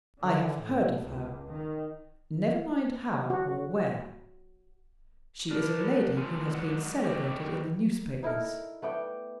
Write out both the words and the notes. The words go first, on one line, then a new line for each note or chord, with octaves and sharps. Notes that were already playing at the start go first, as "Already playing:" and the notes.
I have heard of her--never mind how or where. She is a lady who has been celebrated in the newspapers.
D3
A2
C#2
D#3
F#4
D4 A#4 D5
A2 E3 A3 C4 F4 G#5
F#3 G#3 A#3 D4 C#5 F#5
F#4 G4 A4 D5 D#5 G5
D#4 E4 A4 A#4
A3 B3 D5 G5